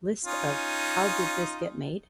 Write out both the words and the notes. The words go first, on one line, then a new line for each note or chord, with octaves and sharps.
List of How Did This Get Made?
C#4 D#4 F4